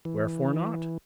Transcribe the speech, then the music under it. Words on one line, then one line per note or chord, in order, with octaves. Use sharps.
Wherefore not?
E3